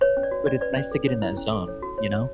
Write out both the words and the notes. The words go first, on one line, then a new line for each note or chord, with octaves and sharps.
But, it's nice to get in that zone, you know?
B4 C#5
C#4
D5
F#4
C#4 D5
B4 D5
C#4 D5
A4
C#5
E4
C#4
A4
C#5
F#4
C#5
C#5